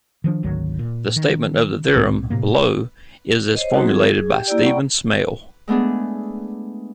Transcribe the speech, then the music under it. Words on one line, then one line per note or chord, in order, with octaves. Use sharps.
The statement of the theorem, below, is as formulated by Stephen Smale.
D#3 F3 G3 D4
G#1 D2 D#3 F#3
A#2
D#3
C2 A2 A#3 C4
A2 C3 A#3
C5 C#5 D#5
F#3 C4 D#4 F#4
G#4
G4 G5
A#3 E4 G4 D5
D5 F#5 G5 A#5 B5 C#6
G#3 A3 B3 D4 G#4